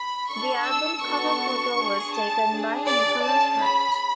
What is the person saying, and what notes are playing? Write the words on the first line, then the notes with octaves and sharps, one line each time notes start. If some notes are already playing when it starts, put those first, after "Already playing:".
The album cover photo was taken by Nicholas Wright.
Already playing: B5
D4 A4 C#6
E6
B3 D4 F#4 A4 C#6
D4 G#4
A5
D4 G#4
D5
C#4 G#4 A5
B5